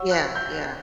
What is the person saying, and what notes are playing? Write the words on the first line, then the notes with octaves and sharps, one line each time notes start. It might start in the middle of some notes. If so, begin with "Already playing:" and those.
Yeah, yeah.
Already playing: C#5 F#5 C#6 E6
F#6
G6